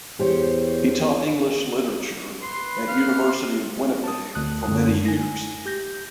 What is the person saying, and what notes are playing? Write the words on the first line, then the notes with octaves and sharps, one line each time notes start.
He taught English literature at University of Winnipeg for many years.
E2 G4 C5 C#5
B4 C6
F5
A5 D#6
D2 D#6 F#6
F#2 D3
G#5 A#6
G4 G6 A#6